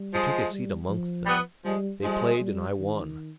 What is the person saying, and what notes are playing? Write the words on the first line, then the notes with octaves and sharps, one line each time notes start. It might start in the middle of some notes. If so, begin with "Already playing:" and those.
He took his seat amongst them; they played, and I won.
Already playing: G3
F3 G#3
G3
F3
G3 B3
F3 G3 G#3
F3 G3 G#3
G3
D#3